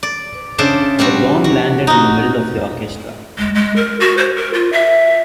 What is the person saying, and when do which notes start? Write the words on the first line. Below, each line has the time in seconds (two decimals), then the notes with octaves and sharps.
The bomb landed in the middle of the orchestra.
0.03 D5
0.58 C#3 D4 C5 D5 E5 A5
0.99 G3 C4 D4 F#4
1.44 F#4
1.87 D#4 F#4
3.39 G#3
3.55 G#3
3.76 A#4
4.00 F#4
4.18 C5
4.36 A#4
4.54 F4
4.73 E5